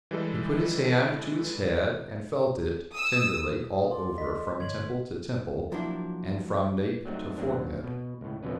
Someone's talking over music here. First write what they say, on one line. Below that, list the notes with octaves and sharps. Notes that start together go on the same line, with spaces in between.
He put his hand to his head, and felt it, tenderly, all over, from temple to temple, and from nape to forehead.
E3 G3 G#3 A4
D#6 E6
G#4
D5 C6
D#5 B6
G2 D3 C#5 G#6 F#7
F3 F#3 A#3 D4 E4
F#3 G3 A3 C4 D#4
D#2 A#2 F#3 C4 D4
B2
C#2 A2
C2 F2 B2 D3 C#4 B4